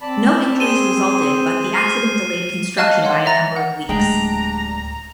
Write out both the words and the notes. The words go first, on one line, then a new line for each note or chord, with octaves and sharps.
No injuries resulted, but the accident delayed construction by a number of weeks.
C4 D5 A5 B5
G#4 C5 D#7 E7 G7
F6 C7 D#7
D#5 F5 A5 F6 F#6 D#7
C#5 D#5 F#5 C6
E5 A#5 A6 A#6
F#5
D1 G#3 A3 D4 G4 A#5